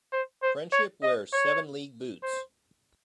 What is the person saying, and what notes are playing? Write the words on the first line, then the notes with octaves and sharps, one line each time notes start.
Friendship wears seven-league boots.
C5
C5
C#5
D#5
C#5
C5